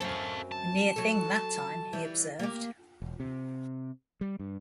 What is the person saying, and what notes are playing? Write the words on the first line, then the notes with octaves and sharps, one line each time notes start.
"A near thing that time," he observed.
F#2 C4 A4 F5
A5
F#3 A4
E3 G3
A#3 G4
E1
C3
G3
G2